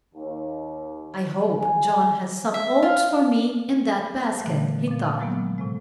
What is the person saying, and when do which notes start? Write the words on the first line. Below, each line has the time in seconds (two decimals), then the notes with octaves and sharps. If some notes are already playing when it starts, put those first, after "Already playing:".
"I hope Johnnie has some oats for me in that basket," he thought.
0.15 D#2
1.47 G#5
2.54 E5
2.82 F4
4.41 A#2 D3 E3 F3 G3 A3
4.87 A#2 F3
5.19 F3 F#3 G#3 A#3 B3
5.58 A2 C3 G#3